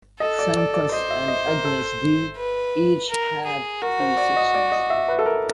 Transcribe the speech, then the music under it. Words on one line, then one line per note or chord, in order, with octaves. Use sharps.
Sanctus and Agnus Dei each have three sections.
A4 D#5
D5
D5
D5
C5 D#5
E5
D#5
A#4
A4
B4
A#4
G#4
F#4 A#4
C5
D5
D#5
D5
D#5
E5
B4
A4
A#4